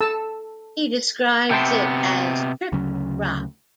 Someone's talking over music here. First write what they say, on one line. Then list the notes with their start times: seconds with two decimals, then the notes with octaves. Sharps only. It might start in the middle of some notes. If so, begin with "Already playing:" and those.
He describes it as "trip rock".
0.01 A4 A5 E6
1.51 C3 B3 G5 A5 C6
2.72 D2 C#3 F#3 C#4